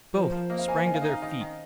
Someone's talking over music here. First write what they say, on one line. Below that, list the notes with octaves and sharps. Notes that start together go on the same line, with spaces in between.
Both sprang to their feet.
F3 C5
A#4
F3 C5
A#3 D#5
F5
A#3 G#5
F5
D#3 G#5
F5
D#5
D#4
F5
D#3 D#5
D#3